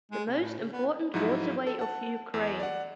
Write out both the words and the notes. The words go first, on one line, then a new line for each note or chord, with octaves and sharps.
The most important waterway of Ukraine.
G#3
C3
A2
C#3
B3
G#2 F3 F#3 D#4 E4
A4
F#5 A5
E2
D5 F#5